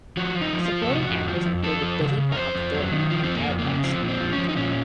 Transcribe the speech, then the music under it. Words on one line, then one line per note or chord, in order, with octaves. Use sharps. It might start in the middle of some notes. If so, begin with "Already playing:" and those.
Supporting actors included Billy Bob Thornton and Ed Asner.
F3 F#4
F3
D#4
F3
F4
F3
A4
C3 F#4
F2
F3
F2
F3 A4
F3
C#3
C#3
A#4
F2 C5
F2
F#3
D#3
F3
F2 C4
A#3
F2
A#3
C#3
F3 C4
A#2
C4
F3
C#4
F3
D#4
A#2 C#4